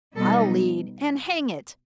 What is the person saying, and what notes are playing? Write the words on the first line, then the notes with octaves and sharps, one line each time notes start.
I'll lead, and, hang it!
B2 G3 B3 D#4 A4